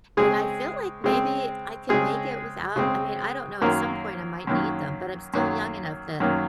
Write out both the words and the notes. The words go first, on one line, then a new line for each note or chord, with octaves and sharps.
and I feel like maybe I could make it without I mean, I don't know, at some point, I might need them, but I'm still young enough that
C#3 G#3 C4 G#4
C#3 G#3 C4
C#3 G#3 C4 G#4
C#3 G#3 C4
F#2 D#3 F#3 A#3 A#4
F#2 D#3 F#3 A#3
F#2 D#3 F#3 A#3
F#2 D#3 F#3 A#3